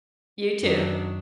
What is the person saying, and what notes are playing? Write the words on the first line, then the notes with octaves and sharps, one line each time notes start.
You too.
F#2 D#3 F#3 D4